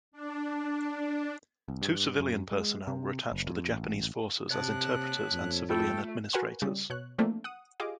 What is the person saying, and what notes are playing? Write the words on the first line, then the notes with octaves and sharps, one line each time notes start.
Two civilian personnel were attached to the Japanese forces as interpreters and civilian administrators.
D4
C2
G2
F#2
G#3
C3
F#1
F2
A1
C3 C#5 A5 F#6
F2
A3 F4 A4 G5
F#4 A#4 B4 F#5 G#5 C6
C#3 G3
B2 C#5 F#6
E3 F3 A3 A#3 C4 D4
F#5 D#6
F4 G4 G#4 D#5 F5 D6